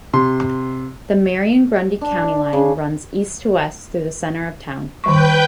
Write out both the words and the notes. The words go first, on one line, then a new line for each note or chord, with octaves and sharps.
The Marion-Grundy county line runs east-to-west through the center of town.
C3 C6
D4
C#3
D#3 G3 B4 G5 C#6 G6